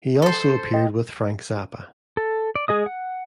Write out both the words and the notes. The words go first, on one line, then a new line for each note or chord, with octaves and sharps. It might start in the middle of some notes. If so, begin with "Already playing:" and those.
He also appeared with Frank Zappa.
A4 C5
D#5 G5
A4
D5
G#3 G#4 D#5 D#6
F#5